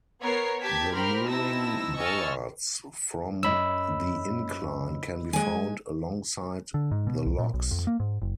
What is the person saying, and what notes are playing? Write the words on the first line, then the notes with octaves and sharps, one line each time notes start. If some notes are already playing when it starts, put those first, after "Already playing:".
The mooring bollards from the incline can be found alongside the locks.
B3 A#4 C#5 C7
G4 A5 G#6 B6
G4 A#4 C5 B5 C6 F6
C4 D#4 E4 A5 E6 A#6
D#5 G#5 C#6 E6 F6 A6
F#2 D#5 B5 E6
G#3 G#5
D3
G#2
B2
C2
A#2
B1
F2
A#3
G#2
F#1